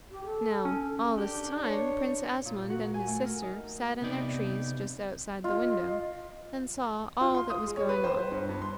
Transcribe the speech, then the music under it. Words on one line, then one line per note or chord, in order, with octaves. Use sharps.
Now, all this time Prince Asmund and his sister sat in their trees just outside the window and saw all that was going on.
G4
A4
C#4
D4 G4
C#5
A#2
F#4
G#5
A3
A#4
D#4
C3 B3 D#4 D5
F4 D#5
F4
C6
D#6
G#3
C#5
B4
C5
C5
G2
G2
C6